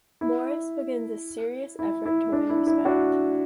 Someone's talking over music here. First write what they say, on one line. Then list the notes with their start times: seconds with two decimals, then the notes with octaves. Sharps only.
Morris begins a serious effort to win respect.
0.21 E4
1.79 E4
2.06 E4
2.32 D4
2.50 E4
2.67 E4
2.85 D4 F#4